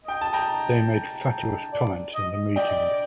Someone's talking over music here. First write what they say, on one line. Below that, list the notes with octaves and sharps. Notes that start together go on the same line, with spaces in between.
They made fatuous comments in the meeting.
D#5 G5
A5
G5 A#5
D5
D#5
D5 D#5 G5